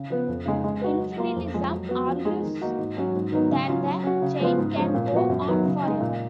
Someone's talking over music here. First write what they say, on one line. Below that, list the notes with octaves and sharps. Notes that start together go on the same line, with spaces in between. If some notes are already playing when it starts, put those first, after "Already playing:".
Infinitism argues that the chain can go on forever.
Already playing: C#3
F3 B3
F2
C#3 G#3 D#4
G#3
D#4 F#4 B4
F#3
A#3 F4
F2
F3 G#3
F#3
B3 F#4
F3
G#3 D#4 G#4
D#3
A#3 D#4 F#4
G#2
F#3 C#4 F#4
G#2
D#3 F#3 B3 D#4
C#3
F#3 C#4 F4
F#3
C#4 F#4
C#3
F3 G#3 B3 F4
G#2
F3 G#3 C#4
A#2
F3 B3 F#4
F#2
D#3 F#3 B3
C#3
G#3 D#4
A#2